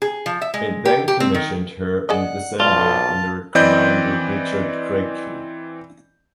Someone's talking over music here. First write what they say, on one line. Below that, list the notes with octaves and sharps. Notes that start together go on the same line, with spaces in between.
It then commissioned her in December under Commander Richard Creyke.
G#4
F3
E5
G#3
G4
G4
C4
D#3
G#4 D5 D#5 F#5
B1 F4 D5 A5
E3 C4 D5 D#5 B5 G6